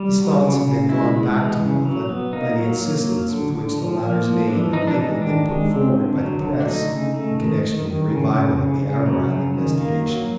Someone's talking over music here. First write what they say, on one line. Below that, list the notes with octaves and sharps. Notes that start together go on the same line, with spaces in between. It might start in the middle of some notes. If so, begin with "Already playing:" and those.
His thoughts had been drawn back to Moffatt by the insistence with which the latter's name had lately been put forward by the press in connection with a revival of the Ararat investigation.
Already playing: G3
F#3
C#3
C#3
G#3 E4
G#3
E3
C#3
F#3
B3
A#3 D#4
F#3
A#3
F#3
D3
D3
F3
A#3
F3
E3 D4
E3 D#4
D4
G#3 D#4
D#3 D4
G#3
C4
D3
F#3
D3
D4
A3 D#4
C#3
A3
D#3
D#3
D#3
C#3
C#3
C#3
C#3
F#3
C#3
D#3
A#3
F#3